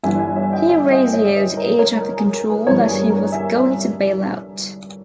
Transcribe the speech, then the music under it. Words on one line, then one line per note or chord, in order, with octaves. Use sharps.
He radioed air traffic control that he was going to bail out.
G1 G2 E3 E5 G#5
E5 G#5
C#5 E5
D#5 G5
E5 G#5
D#5 G5
C#5 E5
B4 D#5
A#4 C#5
A#4 C#5
A#4
G#4
A#4
G#4 B4
G1 G2 E3 G3 A#3 A#4 C#5
G#4 B4
A#4
E5 G#5